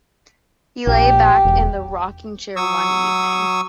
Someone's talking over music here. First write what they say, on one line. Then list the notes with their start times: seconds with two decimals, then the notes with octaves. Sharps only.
He lay back in the rocking-chair one evening.
0.87 A#1 G4
1.45 E1
2.56 F#3 C#6 D#6 E6